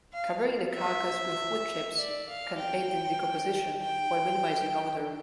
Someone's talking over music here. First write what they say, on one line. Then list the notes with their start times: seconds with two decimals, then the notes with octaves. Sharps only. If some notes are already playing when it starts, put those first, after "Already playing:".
Covering the carcass with wood chips can aid in decomposition while minimizing odor.
0.13 F5
0.74 E5
1.98 D5
2.29 F5
2.58 G5
3.82 G5